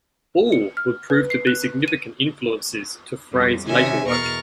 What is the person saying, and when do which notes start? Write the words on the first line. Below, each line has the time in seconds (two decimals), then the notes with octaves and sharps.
All would prove to be significant influences to Frey's later work.
0.52 C#7
0.77 F6
1.10 B4
1.30 C7
1.47 F#6
1.88 D#7
3.33 F2 G3
3.68 C3 D#3 C#4 E5 G#5
4.07 E2 B2 A#4 C#6 F6 A6